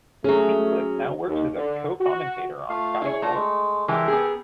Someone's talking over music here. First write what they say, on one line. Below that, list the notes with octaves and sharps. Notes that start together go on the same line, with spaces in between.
Hinchcliffe now works as a co-commentator on Sky Sports.
F#3 A3 C#4 G#4
D#2
D3
F#4
A3 F4 F5
E4 G#4 C#5
A3 D4 F4 A#5
G#3
E3 G#3 G4 A4 A#4
B3 G#4